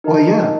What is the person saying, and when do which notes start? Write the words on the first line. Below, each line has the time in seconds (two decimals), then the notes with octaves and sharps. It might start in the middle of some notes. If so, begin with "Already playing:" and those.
Well, yeah.
0.04 D#4 A#4 D#5 A5